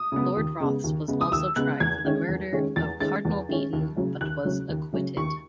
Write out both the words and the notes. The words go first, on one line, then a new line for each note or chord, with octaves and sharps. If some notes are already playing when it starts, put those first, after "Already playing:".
Lord Rothes was also tried for the murder of Cardinal Beaton but was acquitted.
Already playing: D#6
C#3 G#3 B3
D#2
C#3 G#3 B3
D#2
C#3 G#3 B3
D#6
D#2 E6
C#3 G#3 B3 F#6
E2 G#6
D#3 G#3 C#4
E2
D#3 G#3 C#4
E2 A6
D#3 G#3 C#4 A6
E2
D#3 G#3 C#4
D#2
C#3 F#3 C#4
D#2 F#6
C#3 F#3 C#4
D#2
C#3 F#3 C#4
D#2 C#6